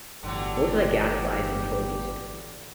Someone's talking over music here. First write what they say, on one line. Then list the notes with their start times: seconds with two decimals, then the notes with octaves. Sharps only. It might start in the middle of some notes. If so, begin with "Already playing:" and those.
Most of the gas lies in Troll East.
0.23 G1 A2 D3 E3 F#3 G4